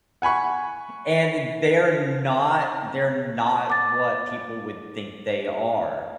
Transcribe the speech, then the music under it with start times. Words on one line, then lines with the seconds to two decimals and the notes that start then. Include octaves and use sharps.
and th they're not they're not what people would think they are,
0.22 F#5 G#5 B5 C#6
3.70 D6 A6